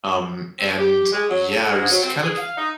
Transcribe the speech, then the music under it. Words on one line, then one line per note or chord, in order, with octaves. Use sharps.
Um, and yeah, it was kind of
C4
G4
G#3
F#3
A4
G#2
F#3
C4
G#4
F5
D#4